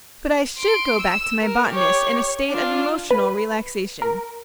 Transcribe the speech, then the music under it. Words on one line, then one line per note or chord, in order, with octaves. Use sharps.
But I should go back to my botanist in a state of emotional relaxation.
C6 D7
E6 E7
A#4
G4 C#5
D4 F4
B4
A#4